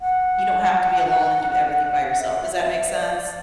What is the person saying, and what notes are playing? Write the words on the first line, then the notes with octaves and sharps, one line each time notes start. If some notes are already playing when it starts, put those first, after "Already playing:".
you don't have to be alone and do everything by yourself." Does that make sense?
F#5
E5
F#5
E5
C5
D5